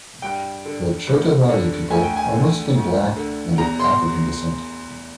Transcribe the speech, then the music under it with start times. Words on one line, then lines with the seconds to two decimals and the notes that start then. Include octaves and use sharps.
The Chota valley people are mostly black and of African descent.
0.22 G2 G5
0.65 D3
1.07 G2
1.49 D3
1.90 D2 G#5
2.03 G5
2.16 G#5
2.33 D3
2.75 D2
3.16 D3
3.58 E2 A#5
3.79 C6